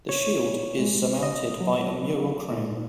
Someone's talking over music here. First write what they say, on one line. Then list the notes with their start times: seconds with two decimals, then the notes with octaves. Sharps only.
The shield is surmounted by a mural crown.
0.09 C#5
0.78 G#3
1.23 D#5
1.61 F#3
2.50 A#2